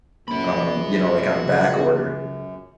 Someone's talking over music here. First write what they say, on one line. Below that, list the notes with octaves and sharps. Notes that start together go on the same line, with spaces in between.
um, you know, like, on back order.
C#2 F#2 A#3 C#4 F#4 B5
C#3